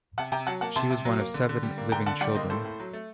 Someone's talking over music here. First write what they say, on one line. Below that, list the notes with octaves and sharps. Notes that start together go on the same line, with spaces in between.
She was one of seven living children.
C3 F#5 A5
C3 G5 A#5
F#3 F#5 A5
A#3 F#5 A5
C3 A5 C6
C3
F#3
A#3
D3
D3
G3
A#3
D3 G5 A#5
D3 F#5 A5
G3 D5 F#5
A#3 C5 D#5
A2 A4 C5
A2
F#3
A3